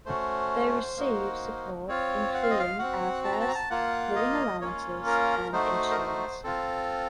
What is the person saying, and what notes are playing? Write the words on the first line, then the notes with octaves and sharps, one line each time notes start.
They receive support including airfares, living allowances and insurance.
A3 C#4 F#4 C5
A#3 D#4 F#4
C4 F4 C#5
F#5
F5
D#5
F5
C4 F#4 F#5
A5
A#5
A5
A#5
A5
A#3 F4 F#5
D#5
A#3 C#4 F4 C#5
A#4
A3 D#4 F#4 C5
A#4
C5
C4 F4 A4